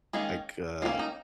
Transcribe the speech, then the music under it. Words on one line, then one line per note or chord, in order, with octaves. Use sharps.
like, uh,
D#3 G#3 A#3 C#4 G#4
D#3 A#3 C#4 F4
D#4